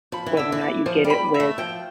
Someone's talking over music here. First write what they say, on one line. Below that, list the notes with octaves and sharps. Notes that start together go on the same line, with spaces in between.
whether or not you get it with
F3 B5
E3
D3 E5
E3
D6
F3 C5
G3
B5
E5
A3
F3 G5